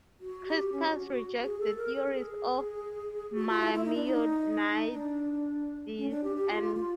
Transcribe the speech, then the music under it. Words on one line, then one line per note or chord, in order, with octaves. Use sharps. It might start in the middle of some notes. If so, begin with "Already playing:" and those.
Crescas rejects the theories of Maimonides and Gersonides on this point.
F#4
G4
C#4
F#4
F#4
F#4
G#4
A4
A#4
A4
A4
G#4
F#4
F4
E4
E4
D#4
D4
D#4
D4
C#4
D4
G4
G4
F4
F4
F4